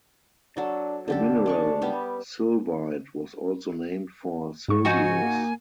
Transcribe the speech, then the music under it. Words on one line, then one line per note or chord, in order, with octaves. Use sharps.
The mineral sylvite was also named for Sylvius.
F#3 D4 A4
D3 D4 G4 A4
G#3 D5 C#6
G3 B3 G4
G#2 C#6
F3 D#4 F#4 G#5
A#3